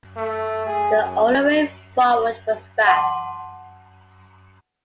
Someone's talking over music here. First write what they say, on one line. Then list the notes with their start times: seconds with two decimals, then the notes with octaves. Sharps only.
The only way forward was back.
0.17 A3
0.67 G#4
1.03 F#2
2.87 F#5 A5 C6 D6